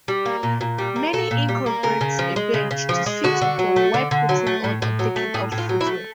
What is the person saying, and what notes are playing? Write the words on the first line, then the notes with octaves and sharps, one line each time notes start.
Many incorporate a bench to sit upon while putting on or taking off footwear.
G3
A#3
A#2
A#2
G3
A#3
A#2 A4
A#2
G3
A#3
C#3 A#4
C#3
F3
G#3
C#3
C#3
F3
G#3
D3 F#4
D3
F#3
A3
D3
D3
F#3
A3
A2
A2
F#3
A3
A2 G#4
A2
F4
F#3
E4
A3